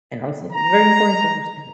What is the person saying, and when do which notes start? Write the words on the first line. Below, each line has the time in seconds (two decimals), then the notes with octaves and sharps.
and honestly, it's very important to understand that,
0.53 A#5